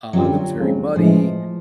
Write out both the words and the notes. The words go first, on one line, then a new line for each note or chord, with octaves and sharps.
uh, that was very muddy
F#2 D3 F#3 G3 C4 F4
D#2 C#3 F3 G#3 C4
A2 E3 F3 G#3